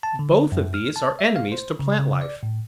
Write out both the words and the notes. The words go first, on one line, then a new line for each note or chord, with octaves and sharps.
Both of these are enemies to plant life.
A5
D3
F#2
F6
A5
E5
F5
C5
C#3
C#3
D5
A2